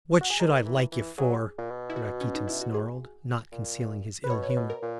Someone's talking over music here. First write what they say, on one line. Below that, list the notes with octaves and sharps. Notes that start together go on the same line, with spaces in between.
"What should I like you for?" Rakitin snarled, not concealing his ill-humor.
F#4
G#4
G#3 A#4
E3
E3
F#3 G#4
A#2
B2
E4
F#4
C#4
D#4
E4
F#4
G#4
A#2
B4
B2 C#5
C#5
B4
B2
A#4
A#2